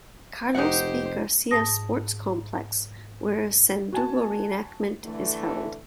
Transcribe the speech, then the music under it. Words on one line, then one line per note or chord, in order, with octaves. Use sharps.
Carlos P. Garcia Sports Complex where a Sandugo Re-enactment is held.
F1 D#4 G4 C5 F#5
G#2 A5 D#6 A#6
F#4 G#5 A5
D3 E3 A3